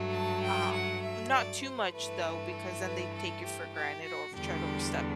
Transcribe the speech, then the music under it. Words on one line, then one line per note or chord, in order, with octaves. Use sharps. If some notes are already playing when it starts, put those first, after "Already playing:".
um, not too much though, because then they take you for granted or v try to overstep,
Already playing: G2 F#3 A3
A5
G5
F#5
E5
D5
C5
G2 E3 A3 B4
A4
B4
A4
G4
G4
F#4
E2 D3 G3 D4 G4